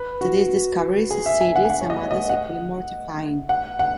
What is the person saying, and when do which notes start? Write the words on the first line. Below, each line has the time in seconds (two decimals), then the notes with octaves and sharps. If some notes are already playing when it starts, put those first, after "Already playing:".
To this discovery succeeded some others equally mortifying.
Already playing: B4
0.21 F#4
1.11 G#4
1.26 E5
1.41 G#5
1.56 F#5
1.65 G#5
1.70 F#5
1.81 C#5
1.90 D#5
2.11 D#5
2.29 F#5
3.49 F#5
3.79 F#5